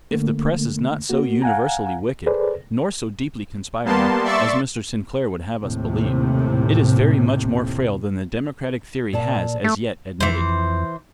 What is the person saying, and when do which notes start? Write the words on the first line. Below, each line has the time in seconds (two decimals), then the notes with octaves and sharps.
If the press is not so universally wicked, nor so deeply conspiring, as Mr. Sinclair would have us believe, it is very much more frail than the democratic theory has as yet admitted.
0.11 D3 A3 A#3
1.10 A#3 F#4
1.42 F5 F#5 G#5 A#5
2.26 G#4 A4 B4 C5 D5
3.85 G3 A#3 B3 A5 C6
4.23 D5 E5 C6 C#6 E6 A6
5.61 D#2 A2 C3
9.13 A#2 D5 A5
9.64 A3
10.20 F2 E3 C5